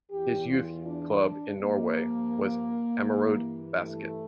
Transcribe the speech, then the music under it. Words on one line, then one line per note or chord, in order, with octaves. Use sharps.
His youth club in Norway was Ammerud Basket.
E2 E3 G4
F4
D4
G2 F3 A#3
G2 E3
A3